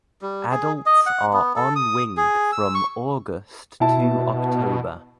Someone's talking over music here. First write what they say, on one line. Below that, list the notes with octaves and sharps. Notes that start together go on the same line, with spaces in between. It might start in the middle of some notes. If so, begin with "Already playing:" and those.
Adults are on wing from August to October.
G3
G#4
D#5
F#5
B3
A4
D#6
G#4
E6
C#6
B2 E4 A5